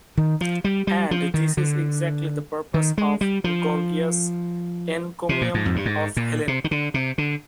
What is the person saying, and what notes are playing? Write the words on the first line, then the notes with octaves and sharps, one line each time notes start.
And this is exactly the purpose of Gorgias' "Encomium of Helen".
D#3
F3
G3
G3
F3
D#3
D3
D#3
G#3
G3
F3
C3
A#2
G#2
F2
G2
G#2
A#2
C3
D#3
D3
C3
D3